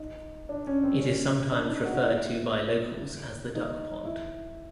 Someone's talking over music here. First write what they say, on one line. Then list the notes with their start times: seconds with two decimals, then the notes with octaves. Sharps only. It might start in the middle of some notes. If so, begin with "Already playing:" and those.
It is sometimes referred to by locals as The Duck Pond.
Already playing: D#4
0.49 D4
0.67 C#4
0.84 C4
1.00 C#4
1.52 D4
1.68 D#4
1.85 F#4
2.02 E4
3.55 D#4
4.05 E4